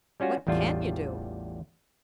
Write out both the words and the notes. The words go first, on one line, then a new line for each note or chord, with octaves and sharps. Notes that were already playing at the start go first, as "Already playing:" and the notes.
"What can you do?"
G3 C#4 F4 F#4
A1 E2 G3 D4 F4